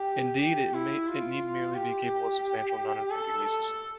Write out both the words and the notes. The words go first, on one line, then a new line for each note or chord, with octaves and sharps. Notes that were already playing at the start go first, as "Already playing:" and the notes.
Indeed, it need merely be capable of substantial noninfringing uses.
Already playing: G4
G4
E4
F4
G4
A4
A4